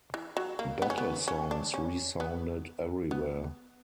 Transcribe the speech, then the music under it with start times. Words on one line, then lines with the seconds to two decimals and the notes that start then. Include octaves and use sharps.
Battle songs resounded everywhere.
0.14 E3
0.37 F#3
0.59 A#3
0.82 B3
0.90 C#4
0.98 B3
1.28 C#4
1.51 D4
1.74 C#4
2.20 B3
3.11 B3